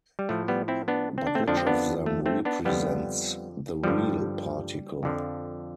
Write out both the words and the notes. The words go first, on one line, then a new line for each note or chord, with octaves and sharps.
But which of them represents the "real" particle?
G3
A2 F3 A3
G3 B3
C4 E4
B3 D4
C4
D4
A3 C4
F2 D3 F3 D4
C4
B3 D4
A3
A3 C4
B3 D4
F2 D3 F3 G3 B3
G2 D3 F3 G3
F2 D3 F3